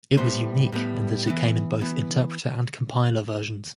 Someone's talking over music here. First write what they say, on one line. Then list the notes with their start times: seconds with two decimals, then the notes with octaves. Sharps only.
It was unique in that it came in both interpreter and compiler versions.
0.17 A2 G3 B3 C5
0.72 A2 G3 B3
1.27 E3 B3
1.81 E3 B3